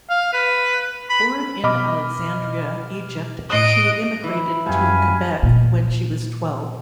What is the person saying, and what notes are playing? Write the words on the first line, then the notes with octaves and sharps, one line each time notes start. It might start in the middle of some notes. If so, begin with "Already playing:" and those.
Born in Alexandria, Egypt, she immigrated to Quebec when she was twelve.
F5
B4
B5
B2 D#5 B5 D6 F6
A2 D#5 D#6 F#6 C7 D7
E3 E4
F#2 G3 F5 G#5 B5
A#2